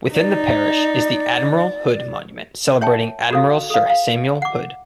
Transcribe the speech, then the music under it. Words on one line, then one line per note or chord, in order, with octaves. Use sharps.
Within the parish is the Admiral Hood Monument celebrating Admiral Sir Samuel Hood.
D#4 D5
C#5 E5 G5 A5
F#4 A4 F5
A4 F5
F5
F#5 D6